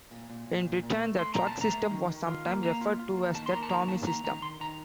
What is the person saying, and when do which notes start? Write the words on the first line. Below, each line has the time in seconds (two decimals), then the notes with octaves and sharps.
In Britain the truck system was sometimes referred to as the Tommy system.
0.11 A#2
0.30 A#2
0.47 A#2
0.65 A#2
0.83 A#2
1.01 A3
1.19 A3 C6
1.34 A#2 A#5
1.47 A5
1.55 A#2
1.61 A#5
1.73 A3
1.91 D#3
2.09 D#3
2.27 F4
2.45 A#3
2.63 A#3 A#5
2.81 F4
2.99 F4
3.17 A#3
3.34 D#3 A5
3.46 C6
3.53 A#3 A#5
3.63 A5
3.70 D#3 A#5
3.88 A#3 A5
4.07 D#3 A#5
4.24 D#3 A#5
4.42 D#3 C6
4.60 D#3 A#5